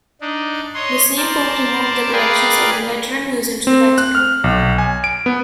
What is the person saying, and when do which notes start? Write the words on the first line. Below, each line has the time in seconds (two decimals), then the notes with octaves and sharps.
The same pope removed the collections of the Lateran Museum to the Vatican.
0.21 D4 D#4
0.74 C#5 D#5 C6
1.17 A#4 C5 D5 A5
2.12 G#4 A#4 B4 D5 F5 G5
3.67 C4
3.98 F#6
4.15 F6
4.44 B1
4.78 G#5
5.04 D7
5.26 B3